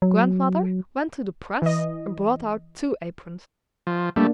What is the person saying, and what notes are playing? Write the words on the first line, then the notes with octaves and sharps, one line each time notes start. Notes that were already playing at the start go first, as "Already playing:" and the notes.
Grandmother went to the press and brought out two aprons.
F#3
E3 D#5
F3
G3 A3 A#3 D4